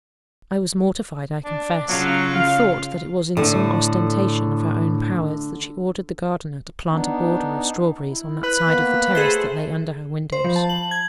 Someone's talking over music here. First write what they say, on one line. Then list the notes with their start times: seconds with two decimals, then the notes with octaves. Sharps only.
I was mortified, I confess, and thought that it was in some ostentation of her own powers that she ordered the gardener to plant a border of strawberries on that side of the terrace that lay under her windows.
1.45 D4
1.88 C#3 F#3 F4
2.35 F5
3.37 A2 D3
6.90 B3 D4 D#4
8.08 E4
8.43 B4
8.65 A#3 B3
9.15 A3 G#4 A4 C5 E5
10.32 C5
10.44 F3
10.56 A5
10.69 F#7
10.91 G#6